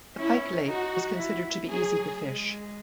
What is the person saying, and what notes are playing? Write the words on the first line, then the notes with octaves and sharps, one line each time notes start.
The Pike lake is considered to be easy to fish.
C#4 E4
D#4 F#4
E4
F#3 G#4
G#3